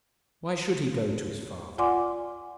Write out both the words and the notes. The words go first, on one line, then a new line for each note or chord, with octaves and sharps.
Why should he go to his father?
F4 D5 F#5 G#5 C6 D6